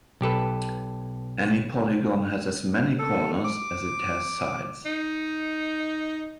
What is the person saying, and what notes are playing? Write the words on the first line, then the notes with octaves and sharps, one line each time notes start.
Any polygon has as many corners as it has sides.
B1 G4 A4 B4
A4
D6
D#4